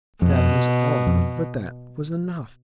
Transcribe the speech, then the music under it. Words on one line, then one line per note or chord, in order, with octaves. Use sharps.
That was all, but that was enough.
F2 B2
F2